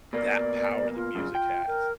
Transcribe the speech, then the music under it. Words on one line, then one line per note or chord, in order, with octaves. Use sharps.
that power that music has.
B2 A#3 D5
F4
F#2 A2 C#3
G5
A#4